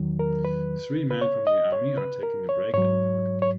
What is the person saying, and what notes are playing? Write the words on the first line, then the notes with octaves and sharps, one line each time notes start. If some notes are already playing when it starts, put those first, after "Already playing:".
Three men from the army are taking a break in a park.
Already playing: E2 D#3 F#3
A#4
B4
B4
C#5
D#5
C#5
B4
A#4
C#5
G#2 F#3 C#5
C#5